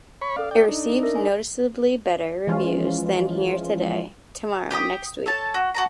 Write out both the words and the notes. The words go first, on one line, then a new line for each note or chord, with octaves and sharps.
It received noticeably better reviews than Here Today, Tomorrow Next Week!
C#5 B5 C#6
C#4 A4 D5 F5
D5 G5
D4 D#4
A#4 E5
G#5
E3 F3 G#3 C#4 F4
G4 G5 A#5 D#6
A4 C#5 A5
F#4
F#4 A5 A#5